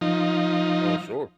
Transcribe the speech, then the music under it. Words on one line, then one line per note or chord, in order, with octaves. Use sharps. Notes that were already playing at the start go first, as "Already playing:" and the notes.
Oh, sure.
F3 D#4